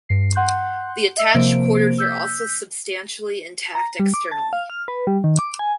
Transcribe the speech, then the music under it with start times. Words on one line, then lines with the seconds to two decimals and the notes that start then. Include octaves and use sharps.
The attached quarters are also substantially intact externally.
0.09 G2 C7
0.35 F#5 C6 F#6 G6
1.17 D#5 E5 E6
1.34 C3 F3 A#3 C5 D7
1.98 E6 G6 B6
3.75 A#5
3.99 G3
4.14 D6
4.31 A5
4.53 F5
4.70 F6
4.88 B4
5.07 G3
5.24 D#3
5.39 D6
5.59 G#5